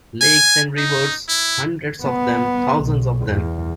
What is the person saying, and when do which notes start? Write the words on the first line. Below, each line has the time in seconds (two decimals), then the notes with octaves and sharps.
Lakes and rivers, hundreds of them, thousands of them.
0.21 G#5
0.77 D#4
1.29 E4
2.04 B3
2.83 B1
3.27 E2